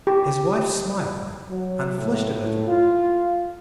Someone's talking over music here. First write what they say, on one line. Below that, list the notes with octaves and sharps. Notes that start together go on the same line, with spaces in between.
His wife smiled, and flushed a little.
G4
F#3
A2
F4